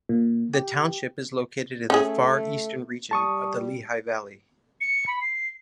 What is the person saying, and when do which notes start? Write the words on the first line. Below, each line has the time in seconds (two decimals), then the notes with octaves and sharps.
The township is located in the far eastern region of the Lehigh Valley.
0.09 A#2
0.54 G4
1.90 A3 C#4 G#4
3.11 G3 A5 C#6 D#6
4.81 C#7
5.07 B5
5.21 C7